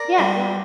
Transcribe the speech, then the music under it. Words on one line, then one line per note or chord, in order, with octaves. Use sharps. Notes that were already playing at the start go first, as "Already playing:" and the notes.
Yeah, yeah.
Already playing: A#4 D5
G3